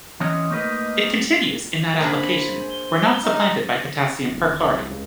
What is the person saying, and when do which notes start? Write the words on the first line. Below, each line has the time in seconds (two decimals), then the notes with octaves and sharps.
It continues in that application, where not supplanted by potassium perchlorate.
0.20 E3 C4 C#4 C#5 D#5
0.51 A3 A#3 D#4 F#4 B4 D#5
2.01 A#3 D4 G#4 C5 G#5 B5
2.70 G7
3.24 D#4 F6
4.28 D1
4.51 D#1
4.69 C2
4.90 C#2